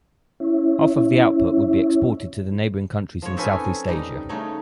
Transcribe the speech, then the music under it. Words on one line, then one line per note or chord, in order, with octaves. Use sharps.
Half of the output would be exported to the neighbouring countries in Southeast Asia.
C#4 E4
F3 C#5
C4 C#4 D#4 A4 B4 G#5
G3 D#4
C#3 A3 D#4 C#5